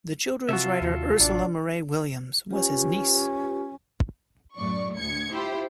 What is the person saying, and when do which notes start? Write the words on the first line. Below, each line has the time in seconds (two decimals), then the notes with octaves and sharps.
The children's writer Ursula Moray Williams was his niece.
0.49 C3 F4 F#4 A4 E5
0.81 D#2
1.20 A1 D4
2.50 C#4 F4 G4 B4
4.57 F#2 A2 D5 C#6
4.96 D2 G#6 C#7
5.34 E4 F4 G4 C5